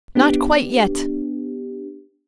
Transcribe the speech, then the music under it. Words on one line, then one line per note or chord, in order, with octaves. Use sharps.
Not quite yet.
B3 D4 G4